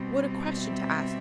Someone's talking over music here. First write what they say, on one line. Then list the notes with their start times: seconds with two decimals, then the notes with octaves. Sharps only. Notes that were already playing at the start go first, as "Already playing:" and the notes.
What a question to ask!
Already playing: B2 G3 C4
0.59 E5